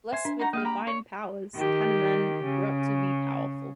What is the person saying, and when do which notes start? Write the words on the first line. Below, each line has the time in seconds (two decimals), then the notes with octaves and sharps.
Blessed with divine powers Hanuman grew up to be powerful.
0.12 C5 E5 G#5
0.25 D4
0.39 D#4 F#4 A#5
0.53 A#3 G#4 D#5 F5 G5
0.65 G4 A#5 B5
0.87 C#5
1.55 D#3 G4
2.45 C#3